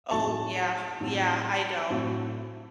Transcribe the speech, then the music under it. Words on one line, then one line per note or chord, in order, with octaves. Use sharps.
Oh, yeah, yeah, I know.
A2 F#3 C4 F#4 A5
A2 F#3 C4 F#4
A2 F#3 C4 F#4